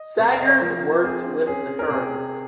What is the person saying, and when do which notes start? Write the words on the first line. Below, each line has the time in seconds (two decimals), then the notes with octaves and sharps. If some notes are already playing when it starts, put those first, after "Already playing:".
Sagard worked with the Hurons.
Already playing: D#5
0.18 C3
0.33 F5
0.40 D#5
0.48 C#5
0.55 C5
0.61 F3 A#4
1.04 C4 G#4
1.47 C#4 G#4
1.79 A#4
1.90 C3 G#4